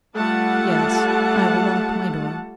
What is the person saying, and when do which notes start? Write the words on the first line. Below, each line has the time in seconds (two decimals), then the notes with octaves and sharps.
'Yes, I will lock my door.'
0.15 G3 A3 F4 F#5 A5